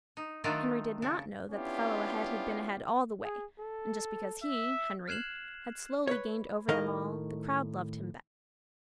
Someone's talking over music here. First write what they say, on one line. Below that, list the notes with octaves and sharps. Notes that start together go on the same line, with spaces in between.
Henry did not know that the fellow ahead had been ahead all the way, and just because he--Henry--had slowly gained over them all, the crowd loved him best.
D#4
D#3 F#3 A3 D4 D#4 F4
C#3 D4
B3 C#4 D4 E4 F4 G4
G#4
A4
E5
F6 F#6 G#6 C7 E7 F#7
B4 C#5
A2 D#3 A#4 D#5 F5